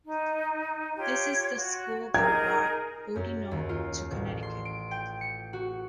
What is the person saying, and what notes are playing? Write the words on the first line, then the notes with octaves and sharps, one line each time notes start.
This is the school that brought Boudinot to Connecticut.
D#4
F4 G4 C#5
F#4
D#4 G#4 A#4 G#6
F#2
D#2
F4
A1
C6
D7
G5
C#7
F#4